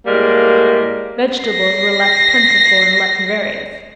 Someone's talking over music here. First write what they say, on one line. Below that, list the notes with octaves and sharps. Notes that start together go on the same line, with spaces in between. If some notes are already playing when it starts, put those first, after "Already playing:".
Vegetables were less plentiful and less various.
A2 G3 G#3 A#3
A#6 C7